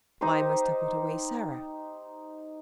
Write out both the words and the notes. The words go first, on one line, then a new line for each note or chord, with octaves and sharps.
"Why must I put away Sarah?"
D#4 G4 C5